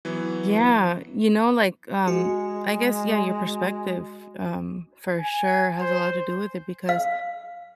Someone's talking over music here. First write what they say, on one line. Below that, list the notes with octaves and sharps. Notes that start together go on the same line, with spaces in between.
Yeah, you know, like, um, I guess, yeah, your perspective, um, for sure has a lot to do with it, because,
E3 F#3 B3
G#3 F#4
G#5
C5
F5